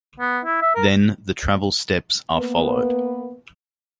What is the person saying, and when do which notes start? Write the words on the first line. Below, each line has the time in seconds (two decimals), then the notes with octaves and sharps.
Then the travel steps are followed.
0.20 B3
0.45 E4
0.62 E5
0.75 A#4
2.36 A#3 B3 B4